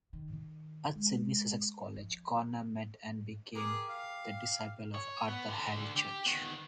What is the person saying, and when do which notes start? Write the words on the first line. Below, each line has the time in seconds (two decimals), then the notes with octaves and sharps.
At Sidney Sussex College, Corner met and became the disciple of Arthur Harry Church.
0.13 D#3
0.96 G#3
1.96 F3
3.55 G4 G#4 A#4 D6
3.89 F5
4.94 C#5
5.28 B3
5.48 D2 D3
5.96 G4
6.26 D#3 B3